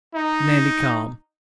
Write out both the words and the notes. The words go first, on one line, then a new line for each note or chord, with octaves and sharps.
Nearly calm.
D#4